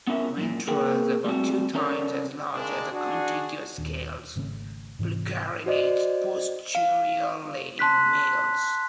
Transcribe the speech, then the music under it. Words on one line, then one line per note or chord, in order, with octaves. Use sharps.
Ventrals about two times as large as the contiguous scales, pluricarinate posteriorly in males.
B3 C#4 E4 A#4 E5
F#2 A#2
A#3 G#4 A#4 B4 G5
G3 A3 C4 F#4
C#4 A4 A#4 C#5 D5
A#2 D#3 G#3 D4
D4 F#4 G#4
D#1 D#2 D4
G#1 C#3 A3 C#4
G#2 C3 E3
F#4 C5 D5 D#5
F5
A5 C6 F#6 B6